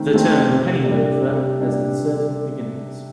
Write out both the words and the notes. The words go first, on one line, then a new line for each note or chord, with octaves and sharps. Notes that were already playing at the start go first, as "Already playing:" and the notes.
The term penny loafer has uncertain beginnings.
Already playing: D#3 A3 C4
A3 C4
C3
G3 D4
C3
G3 D4